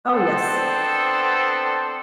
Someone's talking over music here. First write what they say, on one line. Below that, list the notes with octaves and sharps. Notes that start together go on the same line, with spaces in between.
Oh yes.
B3 C4 D4 A4 C5